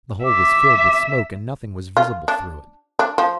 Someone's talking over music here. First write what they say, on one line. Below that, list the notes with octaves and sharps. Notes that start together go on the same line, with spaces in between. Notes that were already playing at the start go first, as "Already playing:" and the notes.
The hole was filled with smoke and nothing was visible through it.
E5 D6
F4
D4
D4
F3